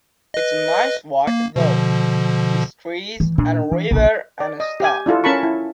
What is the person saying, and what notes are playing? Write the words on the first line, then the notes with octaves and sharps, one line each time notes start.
It's a nice walk though, with trees and a river and stuff.
B4 D#5
A#3
B2 D3 F3
E3
A#2 D4
E3
F1 A#1 A#2 C#3 A#3
D5
D#5
G4 G#5
D4 E4 F4 A4
C#4 A#4 A5 B5 C#6
E4